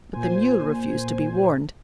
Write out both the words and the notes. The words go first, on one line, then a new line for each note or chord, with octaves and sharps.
But the mule refused to be warned.
A#2 C5 G#5